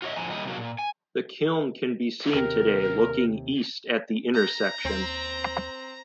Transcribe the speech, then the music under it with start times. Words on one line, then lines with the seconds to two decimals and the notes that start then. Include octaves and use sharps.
The kiln can be seen today looking east at the intersection.
0.02 F4 F#4 C#5 D#5 E5
0.16 A2 D3 F3 G#5 A#5
0.30 D#3 G3 A3 A#3 D#5
0.45 C3 F#3 A#3
0.57 A#2
0.79 G#5
2.34 D#2 C3 G4 A#4
4.34 A#5
4.85 D#2 C4